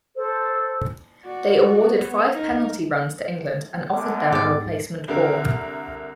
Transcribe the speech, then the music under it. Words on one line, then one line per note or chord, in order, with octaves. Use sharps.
They awarded five penalty runs to England and offered them a replacement ball.
A4 C5
F#4 D5
B3 C#5
D#4 A#4
F#2 D3 B3
G#2 G#3 G4 D5 A6
C2 D3 A#4